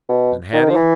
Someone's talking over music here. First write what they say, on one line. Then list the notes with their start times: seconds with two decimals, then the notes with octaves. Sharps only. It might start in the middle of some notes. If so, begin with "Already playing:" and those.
And Hattie?
0.09 B2
0.53 D#3
0.69 F3
0.75 E3